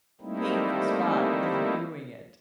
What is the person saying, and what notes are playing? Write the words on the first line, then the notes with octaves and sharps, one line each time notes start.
painful spot because of doing it.
G3 A3 A#3 C4 D#4 E4